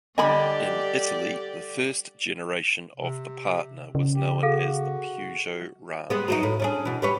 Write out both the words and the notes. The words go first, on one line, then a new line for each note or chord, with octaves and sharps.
In Italy, the first generation of the Partner was known as the Peugeot Ranch.
D3 G3 G4 D5 D#5 G#5 B5
C3
C#3
G4
F#4 G#4 A4 F5
G3 G#3 B3
F#3 G3 D#4
A2
C#4 D4 G#4
B2 E3
G3 B4 C#5